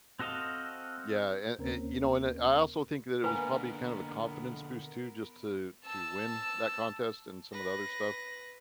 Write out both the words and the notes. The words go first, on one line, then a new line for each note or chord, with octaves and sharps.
Yeah, and eh, you know, and eh I also think that it was probably kind of a confidence boost too, just to to win that contest and some of the other stuff.
C4 F#4 A4 D#5 F5
D#2 C#3 A#3 C4 C#4 A#4
D3 A#3 B3 A#4 B4 G#5
A5 E6
B4 A#6